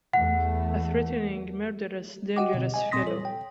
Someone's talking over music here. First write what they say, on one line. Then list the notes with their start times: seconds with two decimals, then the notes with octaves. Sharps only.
A threatening, murderous, dangerous fellow.
0.13 E2 A3 F#5
2.36 F#4 G4 D#5 F#5 G5 D6
2.54 B2 D3 C4
2.74 D#5 G#5
2.91 A#2 C4 C6 D#6 A#6 B6
3.06 G3 A4 C#5
3.25 G5